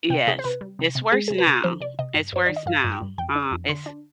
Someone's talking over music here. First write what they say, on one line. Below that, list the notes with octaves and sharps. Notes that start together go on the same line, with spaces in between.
Yes. It's worse now. It's worse now. Uh, it's
C3 G5
C3 G#4
C5
C3 B4
G3
C3
C3
G#3 G#4
C3 G#4
B4
C3
F3 C5
C3 D5
C3 D#5
G2
G2 C5
D#3 D5
D#5
G2 F5
G2
G5
G2
F2 G5
D4
F2
D3 C6
D4